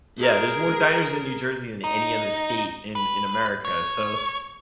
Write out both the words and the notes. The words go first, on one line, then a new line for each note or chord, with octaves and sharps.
Yeah, there's more diners in New Jersey than any other state in in America, so,
G#4 A#4
D#4
B4
C#5